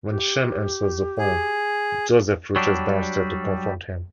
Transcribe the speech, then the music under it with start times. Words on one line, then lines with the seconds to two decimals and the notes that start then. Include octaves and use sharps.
When Sean answers the phone, Joseph rushes downstairs to confront him.
0.11 G4
1.18 G#4
2.56 F#3 G3 D4